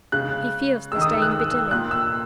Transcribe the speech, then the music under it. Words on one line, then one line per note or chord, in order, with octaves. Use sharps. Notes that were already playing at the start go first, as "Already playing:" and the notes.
He feels the stain bitterly.
C#3 G#3 F#6
D#3 G#3 E6
D#6
E6
F#6
E6
E6
A#2 A#3 F#6
E6